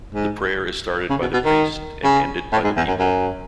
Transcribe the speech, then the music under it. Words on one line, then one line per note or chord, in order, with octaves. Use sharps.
The prayer is started by the priest and ended by the people.
G#2
C#3
B2
B2
D#3
C#3
A2
G#2
E2
F#2
F#2